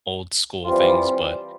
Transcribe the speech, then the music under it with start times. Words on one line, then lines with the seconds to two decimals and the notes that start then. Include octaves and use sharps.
old school things, but,
0.65 E3 G3 C4 F4